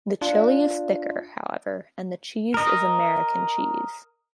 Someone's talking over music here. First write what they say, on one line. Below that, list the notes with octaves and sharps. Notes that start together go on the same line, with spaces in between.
The chili is thicker, however, and the cheese is American cheese.
D4 F4
A#4 D#5